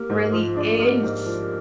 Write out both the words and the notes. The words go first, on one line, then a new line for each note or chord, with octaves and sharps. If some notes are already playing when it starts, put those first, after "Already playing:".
Really is.
Already playing: A#3 G4 A#4
G#2
F3 F4 G#4
D4
A#3 G4 A#4
G#2
F3